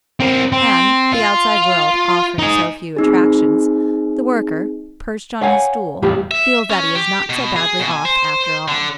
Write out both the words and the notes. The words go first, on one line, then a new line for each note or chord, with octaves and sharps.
And, the outside world offering so few attractions, the worker, perched on his stool, feels that he is not so badly off after all.
C4 A#4
C4
F4
D#4 G#4
C4 D#4 G#4
C#5 F5 F#5 G#5
E2 A2 G3 E4 G4 F5
E5
C#4
G4
B2
G#4
B2
G#5
C5
D3